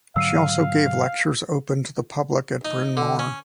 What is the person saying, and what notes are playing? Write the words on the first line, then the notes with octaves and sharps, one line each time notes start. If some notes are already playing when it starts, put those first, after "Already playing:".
She also gave lectures open to the public at Bryn Mawr.
G#2 D3 F#3 F5 E6 C7 D#7
D#4
D3
C#4